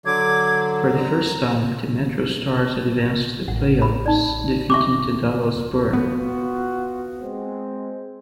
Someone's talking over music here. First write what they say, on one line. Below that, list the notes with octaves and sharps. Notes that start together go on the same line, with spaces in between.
For the first time, the MetroStars advanced the playoffs, defeating the Dallas Burn.
D3 F#3 D6 G#6
A#5
A1 F#5
B5
D#4 D5
E5 C#6 D6
B3 F4 F#4
G#3 C4